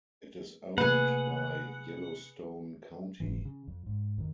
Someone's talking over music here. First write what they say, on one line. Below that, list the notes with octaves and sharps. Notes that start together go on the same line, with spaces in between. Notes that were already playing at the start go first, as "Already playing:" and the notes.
It is owned by Yellowstone County.
C3 A3 A#3 G#4 B4 F#5
F#1 G#2 E3
C#3
F2
G#2
F2 D#3